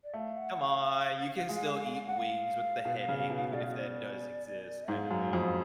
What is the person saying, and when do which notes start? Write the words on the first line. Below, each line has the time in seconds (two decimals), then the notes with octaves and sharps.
"Come on. You can still eat wings with the headache, even if that does exist," kinda thing.
0.04 D5
0.14 A3 F5
0.37 F#5
0.59 F5
1.49 G#3
2.06 F#5
2.17 F5
2.85 B2
3.08 C#3
3.30 B2
3.53 B2 D5
3.63 F5
3.74 D5
4.88 G#2 F5
5.11 F#2
5.33 F2